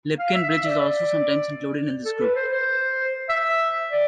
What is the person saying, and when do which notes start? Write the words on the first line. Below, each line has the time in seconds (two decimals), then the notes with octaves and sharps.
Lipkin Bridge is also sometimes included in this group.
0.19 F5
0.34 E5
0.50 E5
0.65 D5
2.05 A4
2.20 B4
2.36 C5
2.52 C5
3.29 E5
3.92 D5